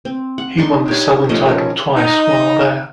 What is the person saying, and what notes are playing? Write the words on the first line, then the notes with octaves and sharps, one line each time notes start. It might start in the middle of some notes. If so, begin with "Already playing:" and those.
He won the Southern Title twice while there.
C4
F#5
D4 D#4 C6 C#6
G4 C#5
F3 A3 C#4 D#5
C#4 A#4
D#4